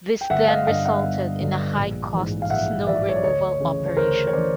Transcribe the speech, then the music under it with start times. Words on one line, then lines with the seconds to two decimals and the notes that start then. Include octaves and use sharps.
This then resulted in a high cost snow removal operation.
0.21 G5
0.30 G1 E5 F#5
0.48 D#5 F5
0.67 G2 D3 D#5 F5
0.85 E5 F#5
1.04 G1
1.40 G2 D3
1.77 A#1
2.13 G#2 E3
2.42 F5
2.50 A#1 E5 F#5
2.87 G#2 E3 D5 E5
3.09 C#5
3.16 D5
3.24 D2 C#5 D#5
3.60 C#3 E3
3.86 C#5
3.97 D2 A#4 C5
4.27 C#5
4.33 C#3 E3 C5 D5